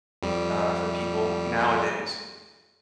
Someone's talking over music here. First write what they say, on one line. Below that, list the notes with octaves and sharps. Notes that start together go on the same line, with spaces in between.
uh, for people nowadays.
F2 G3